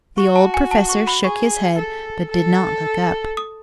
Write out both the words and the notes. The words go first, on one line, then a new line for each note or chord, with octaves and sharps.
The old professor shook his head, but did not look up.
F#4 C#6
A5
G#5
A5
C#6
B5
G#4 C#6
A4
A4
D#6